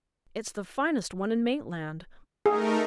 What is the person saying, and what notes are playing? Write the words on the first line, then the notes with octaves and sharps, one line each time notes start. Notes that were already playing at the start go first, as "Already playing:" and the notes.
It's the finest one in Maitland.
A3 D#4 G#4 A#4